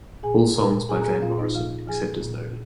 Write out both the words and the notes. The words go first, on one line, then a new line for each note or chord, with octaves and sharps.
All songs by Van Morrison except as noted.
A#2 G#4 G#5
A#2 A#4 A#5
A#2 G#4 G#5
A#5
G#4 G#5
A#2 F4 F5
D#4 D#5
F3 F4 F5
F3 G#4 G#5
A#2